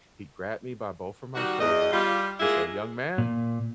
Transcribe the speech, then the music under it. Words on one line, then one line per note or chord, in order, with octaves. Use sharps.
he grabbed me by both of my shoulders, he said, "Young man."
D#3 G3 F#4
E2 D#5
G3 F4
G#3 A#3 E4 F4 G#4
A#2